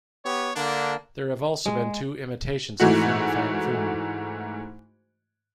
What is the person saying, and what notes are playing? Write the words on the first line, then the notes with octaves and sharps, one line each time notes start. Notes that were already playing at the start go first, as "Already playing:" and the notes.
There have also been two imitations of Fin Fang Foom.
B3 G4 C#5
D3 A#3 D4
G#3
G#2 E3 A3 F#4